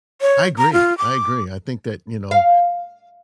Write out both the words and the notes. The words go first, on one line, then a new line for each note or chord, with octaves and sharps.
I agree, I agree, I think that, you know,
C#5
A#5
F4
D6
F5